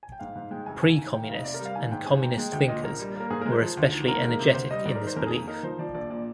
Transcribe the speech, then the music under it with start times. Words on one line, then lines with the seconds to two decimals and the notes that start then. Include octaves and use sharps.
Pre-Communist and Communist thinkers were especially energetic in this belief.
0.03 G#5
0.12 G5
0.19 G#2 F5
0.35 G#2
0.51 G#3 G5
0.66 F1 G#5
0.82 G#1 G#5
0.98 D#3
1.13 D#3 G5
1.24 F5
1.29 F1
1.34 D#5
1.44 C3 D5
1.54 A#4
1.59 G3
1.65 F5
1.75 D#3 G#5
1.91 G#2 G5
2.06 C3 G#5
2.22 A#3 G5
2.37 G#3 G5
2.53 D2 G5
2.68 A#2 D#5
2.83 A#1 A#4
2.99 G3
3.16 A#3 A#4
3.30 G#2 G#4
3.41 G#3 A#4
3.52 C5
3.62 F3
3.77 D2
3.92 D#3
4.08 A#3 A#4
4.23 G#3 A#4
4.39 C3
4.54 D2 C5
4.71 G3 D#5
4.85 G#2 D5
4.96 A#4
5.01 D#3
5.07 C5
5.16 F2 A#4
5.27 G#4
5.32 A#3
5.48 D#4 A#4
5.63 F3 C5
5.79 F3 D5
5.94 A#1 D5
6.10 A#2 D5